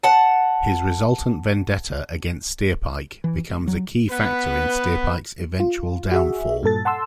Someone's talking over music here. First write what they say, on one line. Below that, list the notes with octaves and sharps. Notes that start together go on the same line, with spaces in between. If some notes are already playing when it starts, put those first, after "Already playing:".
His resultant vendetta against Steerpike becomes a key factor in Steerpike's eventual downfall.
F#5 A5
E3
F1
F#3
B3 B4
F4
F#4 G#4 E5
G2 A#2 A4 A6
F#5 A5 C6 E6